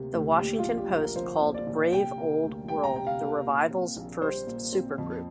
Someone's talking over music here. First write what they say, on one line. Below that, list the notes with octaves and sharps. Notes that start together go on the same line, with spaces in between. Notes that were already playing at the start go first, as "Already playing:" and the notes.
The Washington Post called Brave Old World the revival's first supergroup.
Already playing: D2 C3 A#3
D2
A#2 G4
F4
A#1
G4
A#1
A#4
F3 C5
A#2
D5
A#1
C3 G5
A#3
D2
G3 G5
A#5
C3 G5
F5
A#3
A#2
C4
A#1
G3 C5
A#2
C4
F2